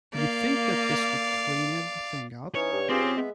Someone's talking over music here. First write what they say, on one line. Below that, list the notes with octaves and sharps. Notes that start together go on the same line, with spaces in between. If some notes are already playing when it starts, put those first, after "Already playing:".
You think that this would clean everything up?
A#3 D5 F5
E3 C#4 D#4 C#5
G2
C4 F4 G4 G#4
C#3
G#3 B3 E5